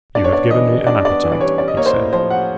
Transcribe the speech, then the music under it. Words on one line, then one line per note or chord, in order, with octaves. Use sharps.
"You have given me an appetite," he said.
D4 D5
C#5
B3 D5
E3 D#5
G3
D4 D5
B3 D5
E3
D5
G3 C#5
C#4 D5
D#5
A#3 C#5
C5
A2
F3 C5
C#4 F#5